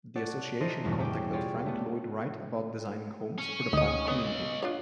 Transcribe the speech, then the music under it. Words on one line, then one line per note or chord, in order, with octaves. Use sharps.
The association contacted Frank Lloyd Wright about designing homes for the planned community.
A4 C#5 D5 F#5
E3 A4 A#4 C5 D#5
A1 E2 G2 B2 E3
E4 G#4 C#5 G5 D6
F4 G4 G#4 C#5 D5
A3 B3
C#4
D2 D#4 D#5
B3 C#5 D#5
D4 F4 C#5